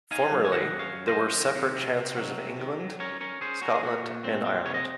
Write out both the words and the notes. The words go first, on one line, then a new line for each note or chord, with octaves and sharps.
Formerly, there were separate Chancellors of England, Scotland and Ireland.
D#4 F5 G#5
F#3
G#5
D#3 D#5 F#5
F#2
C#5 F5
F#2
C5 D#5
F#2
D#3
C3
C3
C3
F#3
C3
D#3
F#3
C#4 A#4 C#5
C#4 A#4 C#5
C#4 G#4 C5
C#4 F#4 A#4
G#4
A#2 F#4
A#2
C4
C4
C3 C#5
D#5